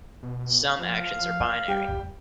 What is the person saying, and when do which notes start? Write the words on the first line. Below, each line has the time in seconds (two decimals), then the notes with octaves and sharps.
Some actions are binary.
0.23 B2
0.77 F3 F5
1.68 G3 G4 G5